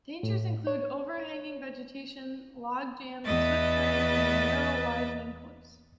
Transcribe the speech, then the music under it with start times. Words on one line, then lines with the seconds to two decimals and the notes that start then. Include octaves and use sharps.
Dangers include overhanging vegetation, logjams, swift current, and a narrow winding course.
0.23 A2
0.67 C#5
3.25 E2 B4 D#5 E5 A6